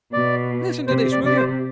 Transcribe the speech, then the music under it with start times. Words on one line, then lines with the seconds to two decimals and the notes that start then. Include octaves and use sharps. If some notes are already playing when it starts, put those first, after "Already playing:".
Listen to this, will you?
0.13 B2 D5
0.87 C3 C5
1.12 D5
1.25 C3 D5
1.37 C5